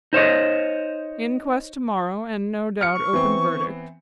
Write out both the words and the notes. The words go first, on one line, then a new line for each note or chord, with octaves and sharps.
Inquest to-morrow, and no doubt open verdict.
D#4 C5 C#5 D#5
F6 C#7
C#6
E3 B3 C4